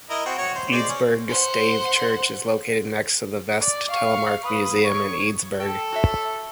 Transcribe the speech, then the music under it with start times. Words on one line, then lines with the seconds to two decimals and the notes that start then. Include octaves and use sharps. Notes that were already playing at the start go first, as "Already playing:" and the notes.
Eidsborg Stave Church is located next to the Vest-Telemark Museum in Eidsborg.
0.10 E4 A#4 D#5
0.26 C4 F#4 G5
0.38 F#4 C#5
0.55 C5
0.72 G#3 C5 D5
0.89 C#4
1.29 C5 F#5
3.60 D5
3.91 F5 C#6
4.45 B4 D#6
4.83 C#5 C#6
5.60 A4 G5
5.92 F#4 C#5 E5